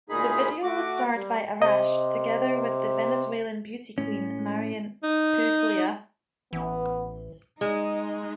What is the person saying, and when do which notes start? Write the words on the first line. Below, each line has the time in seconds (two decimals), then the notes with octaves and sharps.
The video was starred by Arash, together with the Venezuelan beauty queen, Marianne Puglia.
0.10 D2 A#2 A#3 D#4 G#4 B5
0.63 A3 F#4 D6
1.14 G3
1.62 C3 D#5
3.98 A2 C#4
5.04 D#4
6.53 A1 E3 B3
7.61 G#3 D#4